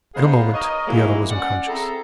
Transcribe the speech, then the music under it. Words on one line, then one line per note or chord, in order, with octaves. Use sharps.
In a moment the other was unconscious.
B3 D#4 G#4 C5 F5
A#4 C#5 D#5
E3 F#3 G#3 A#3 E4
C#4 D5 F#5
C4 E4 G#4 A4 A#5